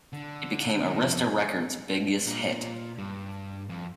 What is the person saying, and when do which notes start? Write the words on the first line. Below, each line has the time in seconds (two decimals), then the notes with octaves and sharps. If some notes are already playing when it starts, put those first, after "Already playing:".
It became Arista Records' biggest hit.
0.13 D3
0.84 D#3
1.02 F2
2.27 A#2
2.98 G2
3.69 F2